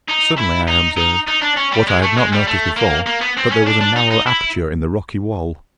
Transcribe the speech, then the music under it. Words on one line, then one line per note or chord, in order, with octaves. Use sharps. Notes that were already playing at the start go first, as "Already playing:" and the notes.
Suddenly I observed, what I had not noticed before, that there was a narrow aperture in the rocky wall.
D#4
E4
D#4
D#4
D#4
D4
C#4
G3
G#3
A3
G#3
G3
A3
A#3
A#3
B3
C4
C#4
D4
D4
D#4
D#4
E4